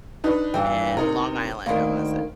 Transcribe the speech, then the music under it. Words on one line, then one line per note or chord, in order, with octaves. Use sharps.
in Long Island, I wanna say
D4 D#4 B4
G2 E3 G5
C3 D#4 A#4
D2 D#3 A#3